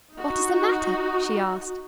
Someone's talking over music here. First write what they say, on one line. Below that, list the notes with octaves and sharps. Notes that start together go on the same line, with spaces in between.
"What is the matter?" she asked.
D#4 F#4